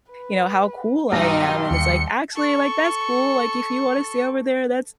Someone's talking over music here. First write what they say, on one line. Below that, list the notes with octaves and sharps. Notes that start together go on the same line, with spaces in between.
you know, how cool I am, and it's like, "Actually, like, that's cool, like, if you wanna stay over there, that's"
B4
B1 G2 D#4 G5 C6 A#6
D#2 C#7
A4 C#6